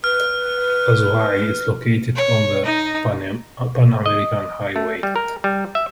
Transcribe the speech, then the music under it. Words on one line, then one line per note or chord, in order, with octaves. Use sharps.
Azuay is located on the Panamerican Highway.
B4 F6
C#5
D#4 D#5
D#5
A3
G3
A#4
G3
E5